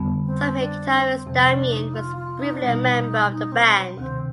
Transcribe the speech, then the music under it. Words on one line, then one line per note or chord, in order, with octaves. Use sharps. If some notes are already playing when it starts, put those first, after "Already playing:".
Samhain guitarist Damien was briefly a member of the band.
Already playing: F2 D3 G3 B3
C4
D4
C4
F2 C3 F3 C4
D4
D#4
F4
F4
D#4
D4
B2 G3 B3 D#4
D#4
C4
D2 C3 D#3 C4